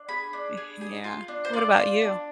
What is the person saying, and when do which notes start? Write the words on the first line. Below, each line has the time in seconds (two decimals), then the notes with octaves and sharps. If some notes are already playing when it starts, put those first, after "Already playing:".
y-yeah, what about you?
Already playing: D4
0.09 G#4 B5
0.33 D4
0.57 G#4
0.81 G#4
1.04 F4
1.28 D4
1.45 C5
1.53 F4 D5
1.77 F4
2.02 D4